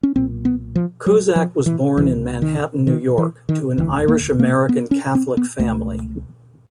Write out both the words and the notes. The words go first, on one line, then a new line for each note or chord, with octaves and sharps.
Cusack was born in Manhattan, New York, to an Irish-American Catholic family.
C#4
B1 A#2 C4
B3
F3
F#3
F3
E3
C#2 C3 E3
D#3
D#3
E3
D#3
E1 D2 D3 E3
A#3
A#3
B3
C#4
C4
B3
C#2 B2 A3